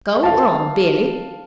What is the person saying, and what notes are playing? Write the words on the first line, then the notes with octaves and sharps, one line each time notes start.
"Go on, Billy."
F5 A5